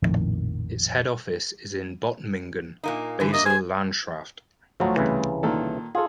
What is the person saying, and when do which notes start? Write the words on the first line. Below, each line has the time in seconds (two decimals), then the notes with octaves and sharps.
Its head office is in Bottmingen, Basel-Landschaft.
0.03 A#1 F2 A2 D#3
2.83 A#2 A#3 D#4
3.20 D3 E3
3.34 A#3 D#5
3.46 G#4 C5 G#5
4.80 D2 A2 F3 F#3
4.96 C2 C#3 E3
5.43 A#2 D#3 A4
5.95 F4 G#4 A4